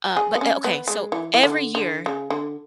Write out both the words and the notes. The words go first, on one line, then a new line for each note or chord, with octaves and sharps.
uh, but o okay, so, every year,
G#4
B3
C#4
B3
G#3
E3
E3
D3
D3
C#3
D3